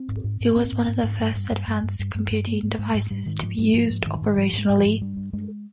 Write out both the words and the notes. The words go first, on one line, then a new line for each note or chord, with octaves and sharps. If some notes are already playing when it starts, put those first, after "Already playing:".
It was one of the first advanced computing devices to be used operationally.
Already playing: C4
G#2
G#2
G#2
G#2 C4
G#2
G#2
G#2
G2
G2
G2
G2
G2
G2
G2
G2
G#2 A#3
G#2
G#2 G#3
G#2
G#2 G3
G#2 D#3
G#2 F3
G#2 G3
G#2 F3
G#2
G#2 D#3
G#2
G#2 F3
G#2
G#3
G#2
F3
G#2
G2 G3
G2
G2 G#3